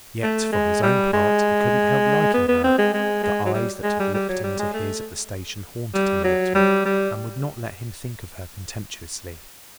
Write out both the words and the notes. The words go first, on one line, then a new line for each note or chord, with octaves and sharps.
Yet, for his own part, he couldn't help liking her; the eyes that had looked into his at the station haunted him a little, and would not let him think of her contemptuously.
A3
G#3
G3
G#3
B3
B3
C4
G#3
G#3
G#3
F#3
G3
G#3
G3
G3
F#3
G3
G#3
A3
G3
F#3
G3
G3